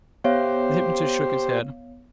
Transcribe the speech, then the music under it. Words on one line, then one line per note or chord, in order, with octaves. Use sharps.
The hypnotist shook his head.
B3 G4 C5 C#5 F5